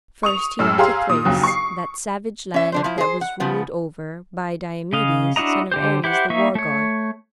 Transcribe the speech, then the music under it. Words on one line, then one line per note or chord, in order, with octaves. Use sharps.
First he went to Thrace, that savage land that was ruled over by Diomedes, son of Ares, the war god.
C#6 D#6 F7
F#2 A2 E6 F6
G4 G#4 F5 A#5 C6
A#2 D#6
A#1 D#2 C#3 F#3
C#6 C7
C#4 E5
D3 D4 C5
F3 E4
G#4 C5
F#5
C#3 F3 B3
C#3 D#5 F5
D4 E4 F#4 D#5 A#5
D3 G4 C5
E4 G4 C5 F#5
A#3 D#4 E5 C#6
A3 C#5